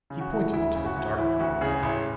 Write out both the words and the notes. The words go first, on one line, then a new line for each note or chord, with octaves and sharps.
He pointed to the dark young man.
C#3
F#4
E3
D2 E4
C#3
F#4
D2
E3 E4
D2 F#4
C#3 G#4
A1